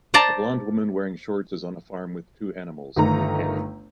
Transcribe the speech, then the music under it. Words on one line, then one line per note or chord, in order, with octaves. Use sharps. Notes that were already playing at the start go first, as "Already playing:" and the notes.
A blond woman wearing shorts is on a farm with two animals, pulling hay.
C5 D5 A5 A#5
G1 D#3 A3 A#5